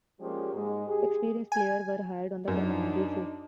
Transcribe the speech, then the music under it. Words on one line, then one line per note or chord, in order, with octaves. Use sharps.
Experienced players were hired on a permanent basis.
F3 G3 G#3 A#3 C#4 G4
G#2 G#3
G4 G#4
G#5
F#2 D4 D#4